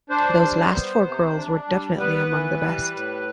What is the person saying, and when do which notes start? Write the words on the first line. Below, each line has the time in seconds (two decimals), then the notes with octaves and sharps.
Those last four girls were definitely among the best.
0.10 D4 C5
0.42 G3
0.74 B3
1.05 C3
1.37 D4
1.68 G3
1.99 B3 B4
2.31 E3
2.62 G3
2.94 A2